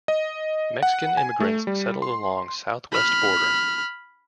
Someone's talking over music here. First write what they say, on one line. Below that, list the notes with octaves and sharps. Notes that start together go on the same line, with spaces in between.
Mexican immigrants settled along South-west border.
D#5
F#5
G#5
A3
G3
C6
B5 F6